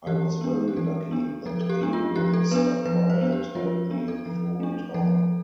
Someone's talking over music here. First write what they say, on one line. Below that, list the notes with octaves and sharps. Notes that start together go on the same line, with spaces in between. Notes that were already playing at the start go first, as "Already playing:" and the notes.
I was very lucky that Adrian stuck by and helped me through it all.
E3 G4
B3 D4
G4
E3 A4
B3 D4
F3 A4
A4
G4
B3 D4
F4
F3 G4
A4
B3 D4 B4
F3 B4
C5
B3 D4
G4
F3 F4
B3 D4
A4
F3
A3 D4
F3 A4